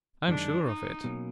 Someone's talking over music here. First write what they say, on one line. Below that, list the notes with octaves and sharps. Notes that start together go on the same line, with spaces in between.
"I am sure of it."
F#2 D#3 G#3 D4
D#4
B2 F#3 A#3 C#4